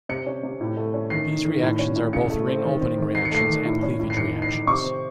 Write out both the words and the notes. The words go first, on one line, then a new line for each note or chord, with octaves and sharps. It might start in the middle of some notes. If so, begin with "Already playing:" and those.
These reactions are both ring opening reactions and cleavage reactions.
C3 C#7
C#4
C3
A2
A3
C#4
D#3 C7
D#4
D#3
A2
C#4
A2
C#3 C#7
A3
C4
D#3
C4
D#3
D#3 C7
C#7
A3 C7
D#3
A2
C#4
A2
C7
D#3 C#7
D#4
C7
D#3
C3 C#6
C4